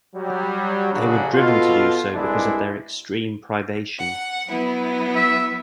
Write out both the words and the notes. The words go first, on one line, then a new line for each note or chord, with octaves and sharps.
They were driven to do so because of their extreme privation.
F#3 G3
A1 C#3 F#3 D4 F#4 G#4
B2 F4 A4
C2 G2 G#3 D4 E4
F#5
F#3 B3 E4
E5